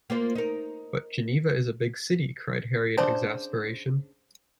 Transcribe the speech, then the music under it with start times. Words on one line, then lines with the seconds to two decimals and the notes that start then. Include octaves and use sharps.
"But Geneva is a big city" cried Harry in exasperation.
0.10 A#3 F4 C5
0.35 D#4 A#4
2.98 C#3 D4 C5